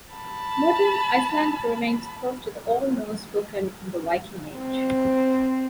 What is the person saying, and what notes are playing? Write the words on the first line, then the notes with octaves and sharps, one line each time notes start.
Modern Icelandic remains close to the Old Norse spoken in the Viking Age.
A5 B5
C4